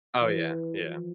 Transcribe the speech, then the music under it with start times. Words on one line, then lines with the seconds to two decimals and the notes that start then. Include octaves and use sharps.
Oh, yeah. Yeah.
0.21 E3
0.82 F3